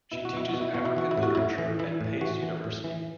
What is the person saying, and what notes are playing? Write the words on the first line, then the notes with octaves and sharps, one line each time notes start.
She teaches African Literature at Pace University.
B2 E4
F#4
B2 E4
B2 F#4
E4
B2 F#4
E4
E3 F#4
E4
A2
F#4
A2 E4
E3
E3 E4
A2
E3 F#4
E3
A2
E3